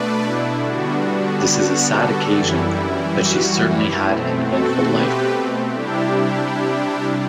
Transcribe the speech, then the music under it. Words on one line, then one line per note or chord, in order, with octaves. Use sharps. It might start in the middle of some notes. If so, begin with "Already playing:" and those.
This is a sad occasion, but she certainly had an eventful life.
Already playing: B2 A3 D4 B4 D5
E4
D3 G3 B3 D4 F#4
F#4
F#4 A4
F#2 E3 G3 E4
F#4
E4
B2 A3 C4
F#4 A4
G4 B4
C3 G3 D4 E4 G4
E4 G4